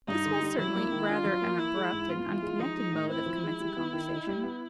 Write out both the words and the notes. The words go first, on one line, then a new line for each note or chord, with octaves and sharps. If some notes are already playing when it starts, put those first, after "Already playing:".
This was certainly rather an abrupt and unconnected mode of commencing conversation.
G2 D#4
D3
G3
F#3 E4
A#3
D#3
D4 F4
F#3
A#3
E3 E4
G#3
G#2
B3 F4
E3
G#3
F3 D#4
G#3
A2
C4 E4
F3
G#3
G3
B3
D#3
D#4
G3
B3